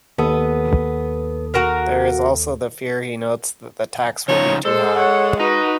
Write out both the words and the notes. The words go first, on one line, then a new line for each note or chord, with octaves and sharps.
There is also the fear, he notes, that the tax will be too high.
D#2 B3 A4 D#6
F#4 A#4 F5
C#3 F3 D#4 C#5
G#3 A4 C5
C#5 F#5
D#4 F#4 B4